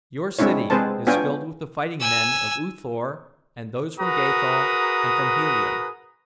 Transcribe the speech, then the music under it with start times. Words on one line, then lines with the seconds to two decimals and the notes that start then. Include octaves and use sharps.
Your city is filled with the fighting men of U-Thor, and those from Gathol and from Helium.
0.39 G#3 C4 D4 E4 C#5
0.70 G#3 C4 G#4 B4 C5 A5
1.07 B3 D4 F4 C#5 G5 G#5
2.00 G#5 E6
3.99 F#4 G#4 A#4 B4 A#5 D#6